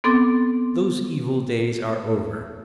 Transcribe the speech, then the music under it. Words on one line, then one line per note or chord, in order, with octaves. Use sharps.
Those evil days are over.
B3 C4 A4 C6 D6 A6